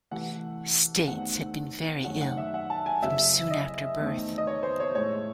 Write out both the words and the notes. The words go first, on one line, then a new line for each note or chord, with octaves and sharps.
States had been very ill from soon after birth.
C3 E3 A3 F#5
E2 D#3 A3 C4 D#4 F#5
F#2 D#3 A3 C#4 F#5
F#5
E5
F#5
A5
G#5
F#2 C#3 F#3 C4 E4 E5
D#5
E2 D#3 A3 C4
D#5
C#5
C5
C#5
A2 G#3 C#4 E4 C#5